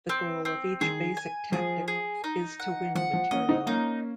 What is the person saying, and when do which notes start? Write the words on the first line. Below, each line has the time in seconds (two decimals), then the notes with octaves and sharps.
The goal of each basic tactic is to win material.
0.09 C4
0.45 C4
0.81 D#3 G#4
1.17 G#5
1.52 F3 G#4
1.88 G#4
2.24 D#4
2.60 F#5
2.95 F3 F#5
3.13 F3
3.31 A#3 C#4 D#5
3.49 C4 D#4
3.66 A#3 C#4 D#4